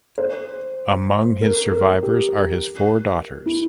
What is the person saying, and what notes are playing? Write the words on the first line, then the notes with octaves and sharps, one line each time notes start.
Among his survivors are his four daughters.
C5
A#4
A#4
G4
E4